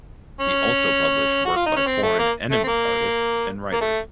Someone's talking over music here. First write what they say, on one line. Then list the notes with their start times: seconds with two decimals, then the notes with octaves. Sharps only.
He also published work by foreign "enemy" artists and writers.
0.40 C#4
1.46 F#4
1.56 F4
1.66 D#4
1.77 C#4
1.87 C4
2.03 A3
2.19 A#3
2.51 A3
2.64 C4
2.68 A#3
3.72 A#3
3.81 A3